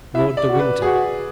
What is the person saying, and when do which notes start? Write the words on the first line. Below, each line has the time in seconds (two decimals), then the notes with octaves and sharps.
"Lord de Winter."
0.15 E4 E5
0.37 D5
0.49 F#4
0.60 B4
0.82 F#4 G#4